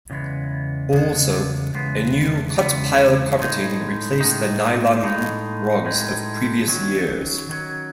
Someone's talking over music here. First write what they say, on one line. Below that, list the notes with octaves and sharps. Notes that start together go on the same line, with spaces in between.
Also, a new cut-pile carpeting replaced the nylon loop rugs of previous years.
E2 C#3 G#3 B3
E2 C#3 G#3 B3
E2 C#3 G#3 B3
E2 C#3 G#3 B3
A2 G#3 D#4
A2 G#3 D#4
A2 G#3 D#4
A2 G#3 D#4
D#3 F#3 C#4
D#3 F#3 C#4